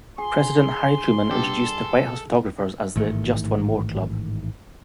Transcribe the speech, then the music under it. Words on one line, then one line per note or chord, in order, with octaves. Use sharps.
President Harry Truman introduced the White House photographers as the Just One More Club.
G#4 C6
G2 D3 G4 A4
A1 G#2 D#3 A3